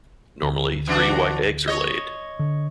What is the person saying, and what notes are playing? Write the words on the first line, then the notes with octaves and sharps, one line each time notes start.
Normally, three white eggs are laid.
D2
E3 D4 F#4
C#5 D#5
D3